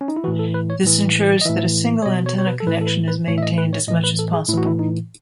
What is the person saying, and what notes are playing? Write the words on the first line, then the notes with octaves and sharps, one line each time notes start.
This ensures that a single antenna connection is maintained as much as possible.
C#4
D#4
E4
A2 E3 F#4
A4
B4
C#5
A2 E3
D#5
A2 E3 E5
C#5
B2 D#5
C#5
C#5
B4
A4
A2 E3 B4
A4
B4
B4
A2 E3 C#5
E5
D#5
B4
C#5
A2 E3 D#5
B4
A4
G#4
A2 E3 E4 F#4
E4
D#4